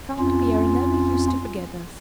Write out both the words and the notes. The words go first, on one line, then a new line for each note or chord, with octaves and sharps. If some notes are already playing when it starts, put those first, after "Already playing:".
Count Pierre never used to forget us.
F2 C#4 F4